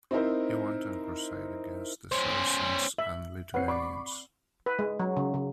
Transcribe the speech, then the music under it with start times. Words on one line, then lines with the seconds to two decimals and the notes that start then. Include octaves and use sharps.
He went on crusade against the Saracens and the Lithuanians.
0.11 C4 D#4 E4 A#4 C5
2.12 C#4 C5
2.98 E5 F#7
3.54 C4 B4 C#5 F#5 C7
3.68 D5 B5 C#6 D6
4.66 B4
4.79 G#3
4.99 F#3
5.17 C#3
5.34 C#3